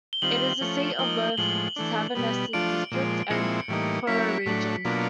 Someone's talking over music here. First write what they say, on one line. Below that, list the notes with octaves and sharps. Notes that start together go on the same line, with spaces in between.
It is the seat of both Savanes District and Poro Region.
G7
D#3 G3 C4 F4 F#7
F3 A3 C#4
F3 A#3 D#4 G7
A2 F3 G#3 F#7
E3 A3 D4
B2 G3 B3
F3 A3 D4 F4 D7
A#2 F3 G#3
A#2 F3 G#3 C4 E4 C#7
A2 E3 G3 A#3 D#4
F#3 A#3 C#4 E4 B6
A2 F#3 A3 D4
B2 F#3 A#3 D4 F4